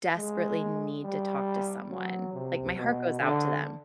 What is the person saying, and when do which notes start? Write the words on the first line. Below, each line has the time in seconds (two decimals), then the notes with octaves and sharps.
desperately need to talk to someone. Like, my heart goes out to them,
0.17 G#3
1.03 G3
1.90 F#3
2.33 C3
2.76 B2
3.19 D3